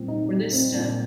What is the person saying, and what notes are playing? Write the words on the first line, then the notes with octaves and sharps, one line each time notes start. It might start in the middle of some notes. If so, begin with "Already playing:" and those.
For this step.
Already playing: A#2 G3 C4
D#4
G3
C4
A#2